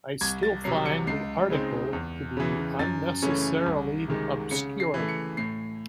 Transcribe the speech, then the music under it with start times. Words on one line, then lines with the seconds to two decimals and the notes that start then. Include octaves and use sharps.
I still find the article to be unnecessarily obscure.
0.21 C2 G#6
0.43 A6
0.64 C3 F#3 C7
0.86 C#7
1.07 C#2 C7
1.50 C#3 G#3 C4 D#4
1.93 E2
2.37 C#3 E3
2.79 F#2 A6
3.22 C#3 E3 A3 C#4
3.66 C2
4.08 C3 D#3 G#3
4.51 C#3 C#7
4.80 C7
4.94 E3 A3
5.09 C#7
5.37 A2 C7